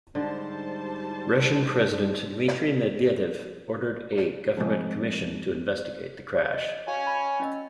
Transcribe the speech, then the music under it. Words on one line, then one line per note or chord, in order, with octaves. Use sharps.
Russian President Dmitry Medvedev ordered a government commission to investigate the crash.
G#2 D3 G3 C5 A5
F2 G#2
D#5
F#4 C#5 F5 G#5
B5
C#4 D#5 E6